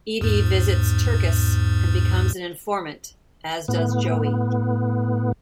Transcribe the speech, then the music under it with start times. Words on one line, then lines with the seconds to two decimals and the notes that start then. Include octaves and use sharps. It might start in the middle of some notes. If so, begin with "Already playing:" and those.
Eadie visits Turkus and becomes an informant, as does Joey.
0.21 E2 G#2
3.68 A2 B3